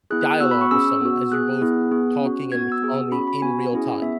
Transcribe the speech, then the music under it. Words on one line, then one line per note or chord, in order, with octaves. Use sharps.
dialogue with someone as you're both talking and responding in real time.
B3 E4 G#4 F#6
F#6
F#6
B3 F#4 E6
B5
C#6
C#4 G#4 E6
B3 F#4
B3 G#4 F#6
B3 E4 G#4
B3 G#4
C#4 F#4
B3 F#4 G#6
E6
B3 G#4
C#4 F#4 B5
B5
B3 F#4 G#5
C#4 E4 G#4
B3 E5